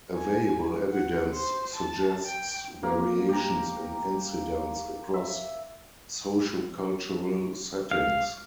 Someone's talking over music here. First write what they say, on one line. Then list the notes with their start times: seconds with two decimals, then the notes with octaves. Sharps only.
Available evidence suggests variations in incidence across sociocultural settings.
0.14 G#5
0.93 F#5
1.33 C5
1.75 A5
2.25 G5
2.83 A#3
3.29 G4 A#5
5.14 E5
7.91 F5